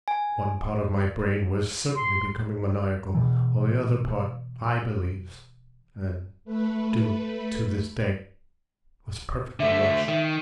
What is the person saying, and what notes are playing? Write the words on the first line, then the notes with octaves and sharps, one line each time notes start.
One part of my brain was certainly becoming maniacal, while the other part, I believe, and do to this day, was perfectly rational.
G#5
C6
B2 E3
A3 B4
D3 A3 E5
D#3